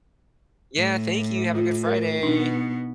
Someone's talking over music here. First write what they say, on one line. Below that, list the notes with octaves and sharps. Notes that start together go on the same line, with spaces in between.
Yeah, thank you, have a good Friday.
A2
F4
A#4
B2 B3 D4 D#4